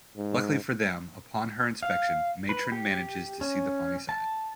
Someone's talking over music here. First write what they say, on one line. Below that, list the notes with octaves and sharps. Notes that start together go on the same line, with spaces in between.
Luckily for them, upon her inspection, Matron manages to see the funny side.
G#2
F5
B4
G4
C#4
A5